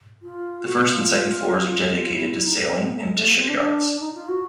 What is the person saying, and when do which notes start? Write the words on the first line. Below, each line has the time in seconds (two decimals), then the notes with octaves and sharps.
The first and second floors are dedicated to sailing and to shipyards.
0.23 F4
0.65 F#4
0.86 F4
1.91 F4
2.12 E4
2.26 F4
2.33 E4
2.46 D#4
2.68 C#4
2.74 C4
2.89 B3
2.95 A3
3.03 G#3
3.16 A3
3.27 A#3
3.38 C4
3.49 D4
3.59 D4
4.00 D#4
4.14 F4
4.28 F#4